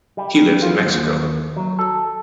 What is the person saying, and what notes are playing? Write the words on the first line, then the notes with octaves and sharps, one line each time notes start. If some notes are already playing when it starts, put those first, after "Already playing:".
He lives in Mexico.
G3
F4
D#2
F#3
A4